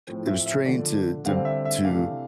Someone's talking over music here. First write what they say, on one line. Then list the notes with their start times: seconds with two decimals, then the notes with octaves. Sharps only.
It was trained to to b to
0.07 A2 F3 C4
0.27 E5
0.46 E5
0.66 D3 F3 A3 D4 D5
1.25 D3 G3 C4 F5
1.45 E5
1.65 E5
1.85 C3 E3 A3 D4 F5